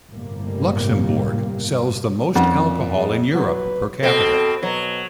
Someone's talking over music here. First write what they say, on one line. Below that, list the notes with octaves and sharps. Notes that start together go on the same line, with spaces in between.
Luxembourg sells the most alcohol in Europe per capita.
G1 A2 C3 G3 A#3
F2 A#2 C#4 F#5
G#3
F#3 B4
B2 C4 A4
B2 F#3